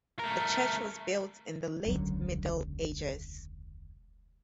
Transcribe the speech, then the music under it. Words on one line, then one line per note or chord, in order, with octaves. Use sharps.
The church was built in the late Middle Ages.
A3 A#4
E1 C#2 D3 F#3